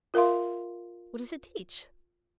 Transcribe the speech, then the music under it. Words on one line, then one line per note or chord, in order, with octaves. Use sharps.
What does it teach?
F4 A#4 E5 F5 C6